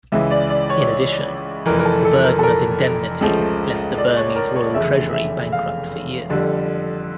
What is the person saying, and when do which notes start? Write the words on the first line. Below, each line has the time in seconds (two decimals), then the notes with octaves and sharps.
In addition, the burden of indemnity left the Burmese royal treasury bankrupt for years.
0.12 C#2 C#3 E3 E5
0.31 D5
0.50 D5
0.70 C#5
1.66 F1 F2 E3 A#4
1.79 A#4
1.85 A4
2.05 A4
2.24 A#4
2.39 A4
2.43 A#4
3.21 C#2 C#3 F3 A3
3.98 D5
4.17 C#5
4.36 A#4
4.56 C#5
4.75 F1 E2 C#3 E5
5.13 E5
5.52 F5
6.30 F2 D3 G3